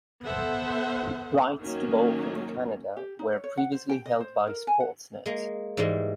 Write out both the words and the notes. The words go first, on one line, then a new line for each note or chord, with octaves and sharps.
Rights to both in Canada were previously held by Sportsnet.
B3 A4 C5 E5 F#5
D#3 F#3 A#3 C#4
G4
D#4
C#5
C#5
F#5
C5
G5
D#5
C5
A#4
G#5
F#5
G#3 A#3
G#2 E3 G3 G#3